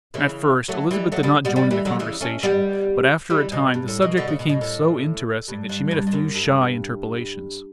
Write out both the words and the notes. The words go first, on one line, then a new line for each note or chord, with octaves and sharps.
At first Elizabeth did not join in the conversation, but after a time the subject became so interesting that she made a few shy interpolations.
C#3 E3
F#3 A3
E3 G3
F#3 A3
G3 B3
G3 B3
G3 B3
E3 G3
D3 F#3
C#3 E3
A3 C#4
G3 B3
E3 G3
B2
G2
A2
B2
B2 D3
C#3
B2
B2
A2
G2
G2
G2
G2
F#2
G2